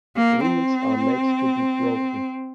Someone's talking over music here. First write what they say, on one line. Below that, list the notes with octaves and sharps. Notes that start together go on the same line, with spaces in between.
Rules are made to be broken.
A#3
C4